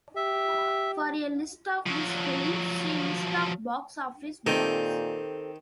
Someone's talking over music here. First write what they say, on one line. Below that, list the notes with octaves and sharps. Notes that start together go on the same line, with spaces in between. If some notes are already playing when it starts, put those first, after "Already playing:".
For a list of these films, see List of box office bombs.
G4 E5
F3 F#3
A#2 D#3 C4 G4 A4 G5